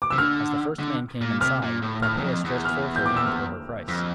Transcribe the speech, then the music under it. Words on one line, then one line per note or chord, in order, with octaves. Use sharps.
As the first man came inside, Tarpeia stretched forth her hand for her price.
D6
C3 E6
D3 F6
D3
A#2
C3 F6
A#2
A2
A2 F6
E2
F2
E2
F6
G6
D6
E6
F6
F2